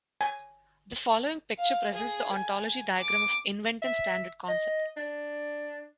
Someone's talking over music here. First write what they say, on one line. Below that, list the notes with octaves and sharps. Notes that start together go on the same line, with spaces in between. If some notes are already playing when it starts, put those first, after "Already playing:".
The following picture presents the ontology diagram of Inventive standard concept.
G#5
F5
G#4
G#5
D6
E5
D#5
D4